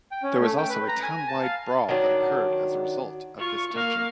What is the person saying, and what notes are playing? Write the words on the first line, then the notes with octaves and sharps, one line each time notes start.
There was also a town-wide brawl that occurred as a result of this tension.
G5
C#4
A3
G5
B4
A#5
G#5
A5
F5
D#3 F#3 D4
F4 C#6
A#3 F5